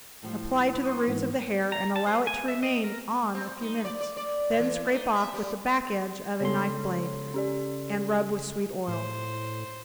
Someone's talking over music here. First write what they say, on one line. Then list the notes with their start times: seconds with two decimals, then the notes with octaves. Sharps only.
Apply to the roots of the hair and allow it to remain on a few minutes, then scrape off with the back edge of a knife blade, and rub with sweet oil.
0.23 A2 F3 G3
0.84 C6 C#6 D#6
1.08 G#2 E3 B3
1.72 A#5
1.96 A5
2.07 C5
2.27 G#5
2.48 E5
2.63 D#5
2.84 A#4
3.35 C4
3.61 D#4
3.85 D5
4.01 D5
4.17 D5
4.59 E3
4.92 D#4
5.15 E5
5.34 G3
6.40 C#3 G#3 B3 A4 C#5 C6
7.34 C#4 G4 D5
8.88 A2 C5